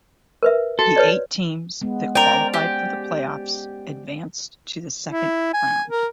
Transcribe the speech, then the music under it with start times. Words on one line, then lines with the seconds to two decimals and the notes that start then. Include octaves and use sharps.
The eight teams that qualified for the playoffs advanced to the second round.
0.43 A#4 B4 E5
0.79 F#4 A4
0.96 B4 C#5 D5
1.81 G#3 B3
2.15 C#4 A#4 C5 D5 G5
2.54 G4
5.08 E4
5.54 G#5
5.89 A#4